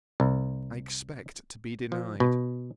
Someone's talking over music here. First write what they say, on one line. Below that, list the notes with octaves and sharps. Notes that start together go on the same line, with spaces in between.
I expect to be denied.
C2
F3
B2